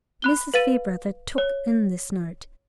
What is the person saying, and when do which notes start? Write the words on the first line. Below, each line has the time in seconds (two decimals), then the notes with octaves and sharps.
Mrs. Fairbrother took in this note.
0.22 B5 F#6 G7
0.54 B4 F5 A6 D#7
1.38 C#5